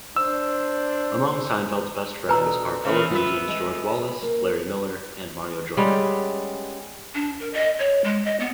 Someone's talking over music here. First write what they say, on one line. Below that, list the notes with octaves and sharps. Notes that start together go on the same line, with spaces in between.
Among Seinfeld's best friends are fellow comedians George Wallace, Larry Miller, and Mario Joyner.
D4 C5 E6
B2 D4 B4 A#5 E6
A4
C#3 E3 E5
B3 F4 E5
G#3
A#3
G3 G#3 B3 C#4
D4
A#4
D#5
C#5
G#3
D#5
B3